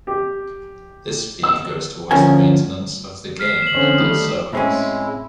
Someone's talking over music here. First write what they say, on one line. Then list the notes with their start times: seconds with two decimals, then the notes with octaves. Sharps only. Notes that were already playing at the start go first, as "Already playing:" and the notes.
This fee goes toward the maintenance of the game and its servers.
0.07 G4
1.43 E6
2.11 D2 F3 C#4 A#4 G#5
3.40 F6 B6 C7
3.62 E7 F#7
3.74 D3 C4 C#4
3.98 D#3 G3 A3 D#6
4.53 A2 G#3 C4 C#4 E4